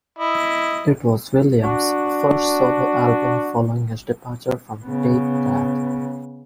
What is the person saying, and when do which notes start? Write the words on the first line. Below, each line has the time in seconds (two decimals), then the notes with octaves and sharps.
It was Williams' first solo album following his departure from Take That.
0.19 E4 D#5
1.63 D4 F#4
4.84 C#3 B3